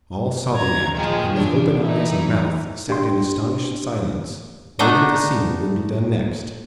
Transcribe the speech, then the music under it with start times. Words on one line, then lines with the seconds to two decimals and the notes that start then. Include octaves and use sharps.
All saw the act, and with open eyes and mouth sat in astonished silence, waiting to see what would be done next.
0.55 A#5 G#6
0.95 A#2 D#3 F3 G#3 F5 G5
1.36 E3 D4 C#5
1.83 D#4 E4
2.88 D4 G4 C6
4.79 A3 B3 D4 D#4 D#5